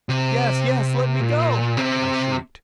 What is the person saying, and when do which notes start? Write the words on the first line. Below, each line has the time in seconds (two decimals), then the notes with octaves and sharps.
'Yes, yes! let me go,' I shrieked.
0.09 C3
1.20 A#2
1.77 C3